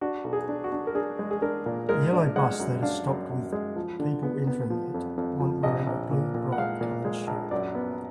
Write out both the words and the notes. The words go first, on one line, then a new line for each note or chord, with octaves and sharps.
A yellow bus that is stopped with people entering it one wearing a blue bright colored shirt.
D4 F#4
B1
G#4
D4
F#4
D4
A#4
D4 G#4
G#3
G#4
D4 A#4
A#2
G#3 A#4
D4
G#3 F#5
F#2
D4 F5
F#2
F#2
G#3
F3
D3
B3
B3
F3
F2
F2
F3
A#1 D#5
A#1
A#2
A#2
F#5
G#3 F5
A#2
G#3
A#1
F#2 D5
B3